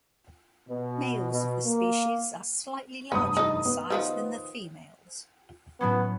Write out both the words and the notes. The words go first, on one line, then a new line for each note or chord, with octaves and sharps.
Males of the species are slightly larger in size than the females.
B2
B2
A#3
F1 G2 B3 D#6
D#4 A4
B3
D#3 F3 G3
A2 F#3 B3 C#4